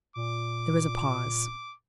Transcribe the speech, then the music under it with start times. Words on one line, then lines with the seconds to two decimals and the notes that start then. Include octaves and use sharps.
There was a pause.
0.16 A#2 D6